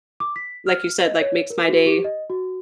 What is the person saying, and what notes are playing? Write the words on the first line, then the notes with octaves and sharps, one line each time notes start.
like you said, like, makes my day
D6
B6
F6
D#5
C#5
A#4
F#4
G4
D#5
F#4